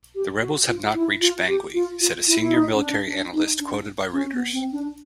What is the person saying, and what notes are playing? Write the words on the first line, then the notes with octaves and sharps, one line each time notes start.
The rebels have not reached Bangui, said a senior military analyst quoted by Reuters.
G4
F#4
F4
E4
F4
G4
F4
F4
E4
E4
D#4
C#4
D4
D4
D#4
D4
C#4
B3
C4
D4